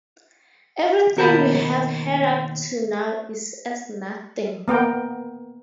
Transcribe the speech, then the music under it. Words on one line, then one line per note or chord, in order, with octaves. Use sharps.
Everything you have heard up to now is as nothing.
D#2 B2 A#4 C5 A5 B5
A#3 B3 A#4 G5